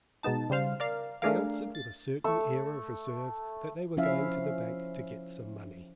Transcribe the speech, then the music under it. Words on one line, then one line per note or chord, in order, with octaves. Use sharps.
They answered with a certain air of reserve that they were going to the bank to get some money.
B2 G#3 B3 D#4 A5
C#3 G3 C5 F5
A#4 D5 F5
A3 D4 G#4 A#4 F5
A6
A3 C#6 E6
F3 C#4 E4 E5 F5